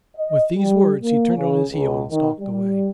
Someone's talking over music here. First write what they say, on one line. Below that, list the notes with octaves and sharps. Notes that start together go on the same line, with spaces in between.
With these words he turned on his heel and stalked away.
D#5
G3
A#3
C#3
C#2
D#3
G3